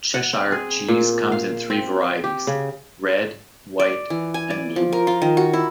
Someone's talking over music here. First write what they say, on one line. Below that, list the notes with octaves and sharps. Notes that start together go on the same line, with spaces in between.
Cheshire cheese comes in three varieties: red, white and blue.
F#5
C4
G#4
A#2
F5
C4
G4
C#3
D5
E3
G#5
D5
F3
A#4
F4
D#3
F#4
E4